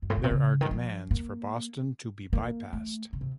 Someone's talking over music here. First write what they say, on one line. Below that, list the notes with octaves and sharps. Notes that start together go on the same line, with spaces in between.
There are demands for Boston to be bypassed.
F#2
A2
A#2
C3
C#3
D#3
F3
A#3
A#3
A3
C#3
C3